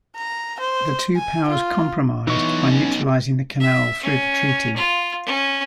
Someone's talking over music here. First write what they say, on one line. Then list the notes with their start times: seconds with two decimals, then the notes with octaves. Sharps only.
The two powers compromised by neutralizing the canal through the treaty.
0.16 A#5
0.60 C5
1.16 G#5
1.49 F4
2.27 E3 B3 D#4 C#6
2.71 C#4
3.60 E5
4.03 C#4
4.76 F4
5.26 C#4